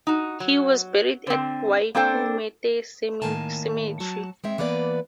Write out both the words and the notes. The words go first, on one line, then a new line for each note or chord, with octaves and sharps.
He was buried at Waikumete Cemetery.
D#4 F#4
F#3
D3 C4
A#3 C4 D4 A4 C5 G5
A2 D#3 A#3 G#5 A5
F#3 F#4 A5
G#3 C4 E5
E3 A#3 B3 B4 D5